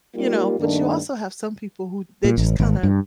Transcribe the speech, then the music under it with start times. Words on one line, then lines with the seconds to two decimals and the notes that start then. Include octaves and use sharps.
you know, but you also have some people who they just kinda
0.15 G3 A#3 D#4 F4 G4 A#4
0.60 G2 D#3 A3 A#3 D4
2.24 A#2
2.38 A1
2.60 G#1
2.83 G2